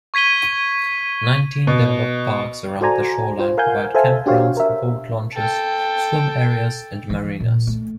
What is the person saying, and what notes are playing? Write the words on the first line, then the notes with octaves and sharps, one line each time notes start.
Nineteen developed parks around the shoreline provide campgrounds, boat launches, swim areas, and marinas.
C#6 G#6 B6 D#7 G7
B2
F#4 A4 C5 D5 G#5 A#5
F4 C5
A#4 F5 F#5 G#5 G6
A4 C5 E5 F5 G#5 A5
D4 F#4 G4 C5 C#5 F5
A#4 E5
A4 G5
E3
A#2
A3